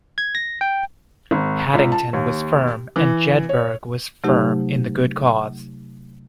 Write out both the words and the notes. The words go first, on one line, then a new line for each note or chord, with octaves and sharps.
Haddington was firm and Jedburgh was firm in the good cause.
G#6
A#6
G5
G#1
C#2
A5
D#2
E3
C#5
C3 F#3 A3 D#4 G4